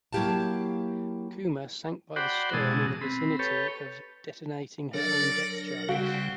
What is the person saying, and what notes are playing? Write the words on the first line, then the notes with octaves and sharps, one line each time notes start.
"Kuma" sank by the stern in the vicinity of detonating her own depth charges.
F#3 A#3 E4 G4 F5 A5
F#4 C5 D5 F#5 G5 B5
B2 E3 G#3 F#4 A5 D#6
C4 B5
G4 A4 B4 C#5
D3 F#3 A#4 D5
C#3 G3 C4 F#4